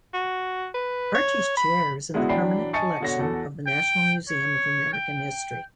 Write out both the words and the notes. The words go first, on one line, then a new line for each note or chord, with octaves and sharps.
Archie's chair is in the permanent collection of the National Museum of American History.
F#4
B4
C#5
B5
G#3 B3 D4 E4 F#4
E3 F#3 D4 G5 B5 C7
D#5 G#5 A5 C#6 A6 C#7
B2 D3 F#4 C#5 A#6
E2 F#4 A4
G5
C#5
G5